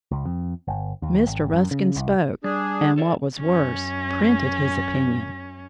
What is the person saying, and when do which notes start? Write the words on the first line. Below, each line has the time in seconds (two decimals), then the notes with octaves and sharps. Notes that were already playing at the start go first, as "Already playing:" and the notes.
Mr. Ruskin spoke, and what was worse, printed his opinion.
0.11 C#2
0.25 F2
0.68 G1
1.02 D#2
1.26 G#1
1.53 F#2
1.71 C#3
1.96 C2
2.44 G3 D4 G#4
2.98 A4 D5 E5
3.40 F#2 C#4